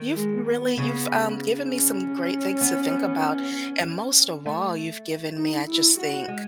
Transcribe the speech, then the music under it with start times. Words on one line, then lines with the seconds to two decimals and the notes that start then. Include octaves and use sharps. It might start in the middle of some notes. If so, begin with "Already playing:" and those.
You've really you've, um, given me some great things to think about, and most of all, you've given me, I just think,
Already playing: D#3
0.17 G#3
0.47 B3
0.78 C#3
1.70 C#4
2.61 B3
4.46 A3
5.37 D#4
5.68 E4
5.98 F#4
6.28 G#3